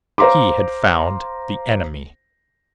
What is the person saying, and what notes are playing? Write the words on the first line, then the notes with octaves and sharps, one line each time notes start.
He had found the enemy.
C5 F5 A#5 C6 D6